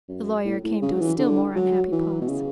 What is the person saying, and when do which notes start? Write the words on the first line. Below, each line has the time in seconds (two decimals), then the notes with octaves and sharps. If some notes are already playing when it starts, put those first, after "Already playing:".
The lawyer came to a still more unhappy pause.
0.09 F#2
0.45 A2
0.64 A2
0.82 C#3
0.92 F#3
1.00 E3
1.18 D3
1.56 F#3
1.92 E3
2.21 B2
2.28 C#3